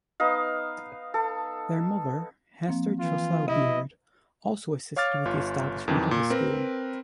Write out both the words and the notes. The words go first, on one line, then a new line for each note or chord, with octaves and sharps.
Their mother, Hester Truslow Beard, also assisted with the establishment of the school.
B3 D#4 D#5 F5
A4
F3 A#3 C4
E3 F4
C3 E4 D#5
C#5 F5 D6 F6 A6
G1 F4 C#5
F2 D#3 E3 F#3
A#2
C4 A#4 B4